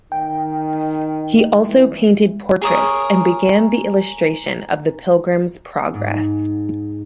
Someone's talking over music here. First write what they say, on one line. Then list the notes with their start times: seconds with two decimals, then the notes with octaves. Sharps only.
He also painted portraits and began the illustration of "The Pilgrim's Progress".
0.12 D#3 G5
1.67 E3
2.62 G#4 A#4 C#5 D#6
5.94 G#2